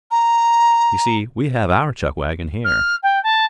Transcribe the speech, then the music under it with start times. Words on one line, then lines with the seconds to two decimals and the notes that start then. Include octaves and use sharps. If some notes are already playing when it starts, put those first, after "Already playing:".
You see we have our chuck wagon here.
0.11 A#5
2.65 F6
3.03 G5
3.23 A5